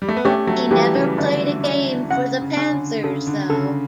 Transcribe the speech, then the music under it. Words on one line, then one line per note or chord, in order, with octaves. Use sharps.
He never played a game for the Panthers, though.
G3
A3
B3
A3 C#4 G4
F#3 A3
E3 G3 G4
C#3 E3
D3 D4
D4
C#3 F#5
C#3
C#4
D3
C#3 A4
D3
C#3 A4